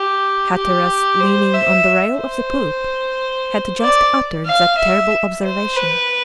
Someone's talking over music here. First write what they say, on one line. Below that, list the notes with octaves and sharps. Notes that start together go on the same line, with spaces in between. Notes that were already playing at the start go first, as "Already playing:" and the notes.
Hatteras, leaning on the rail of the poop, had just uttered that terrible observation.
Already playing: G4
G4
C5
E5
C5
D5
F5
E5
C5
B4